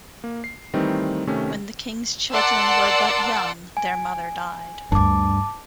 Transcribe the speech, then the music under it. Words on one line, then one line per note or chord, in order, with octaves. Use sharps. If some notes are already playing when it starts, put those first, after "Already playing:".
When the king's children were but young their mother died.
A#3
C7
D#3 E3 G3 A3 C4 D#4
C3 D#3 A3 C#4
A#4 D5 F#5 A5 C6 E6
G#5
D2 G2 A5 D6